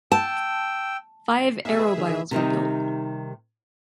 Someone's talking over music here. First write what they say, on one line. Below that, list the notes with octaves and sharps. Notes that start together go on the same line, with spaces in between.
Five Arrowbiles were built.
G5 A5 E6
B1 B2 G#4 E5
B4
D#3
D#3
C3 D#3 G3 D#4